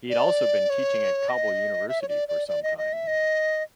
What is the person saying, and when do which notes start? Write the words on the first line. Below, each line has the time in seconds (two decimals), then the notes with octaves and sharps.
He has also been teaching at Kabul University for some time.
0.10 D5
0.70 C#5
1.29 D#5
1.89 E5
2.02 C#5
2.09 D5
2.28 D5
2.48 D5
2.63 D#5
2.78 D#5
2.93 E5
3.07 D#5